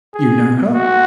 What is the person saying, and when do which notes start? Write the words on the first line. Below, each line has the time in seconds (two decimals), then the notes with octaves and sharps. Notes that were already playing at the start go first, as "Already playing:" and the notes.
"You know her?"
0.13 G#4
0.73 F#4